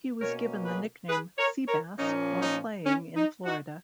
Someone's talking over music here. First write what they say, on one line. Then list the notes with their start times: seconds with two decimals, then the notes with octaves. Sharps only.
He was given the nickname "Sea-bass" while playing in Florida.
0.20 B2 A#3 C#4 A#4 C#5
0.65 G#4 B4
1.09 G#4 B4
1.39 A#4 C#5
1.68 A#4 C#5
1.98 A#2 F3 A#3 C#4 D#4
2.42 D#4
2.86 C#4
3.16 D#4
3.46 D#4 F#4